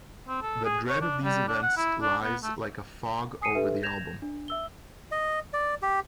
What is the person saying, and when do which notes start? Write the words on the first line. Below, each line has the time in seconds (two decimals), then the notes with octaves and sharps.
The dread of these events lies like a fog over the album.
0.28 C4
0.42 A4
0.65 G#4
0.89 C#5
1.01 D4
1.24 G3
1.48 D4
1.62 F#5
1.77 E4
2.02 D4
2.23 B3
2.43 A3
3.41 G#5 D#6 C7 C#7 D#7
3.55 D4 G4 A4 B4 E5
3.83 G6 G#6 A#6 E7 F7
4.22 D4
4.48 E5 E6 G7
5.12 D#5
5.53 D5
5.82 G4